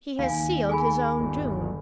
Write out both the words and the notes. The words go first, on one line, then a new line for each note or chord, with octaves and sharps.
He has sealed his own doom.
D#2 F5 G#5
G#4 G#5 B5
G1